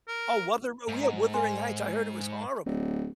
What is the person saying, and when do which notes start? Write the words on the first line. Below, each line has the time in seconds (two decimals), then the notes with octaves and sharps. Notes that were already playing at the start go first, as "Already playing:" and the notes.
Oh, Wuther oh, yeah, Wuthering Heights. I heard it was horrible.
0.08 A#4
0.88 G#2
1.03 F#5 A#5
1.34 A4 G#5 C6
2.66 D1